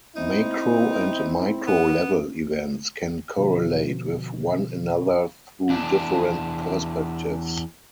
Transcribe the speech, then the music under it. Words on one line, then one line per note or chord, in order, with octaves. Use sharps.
Macro and Micro level events can correlate with one another through different perspectives.
C4 D#4 E4
B3
B2 D3 F3
E2 D4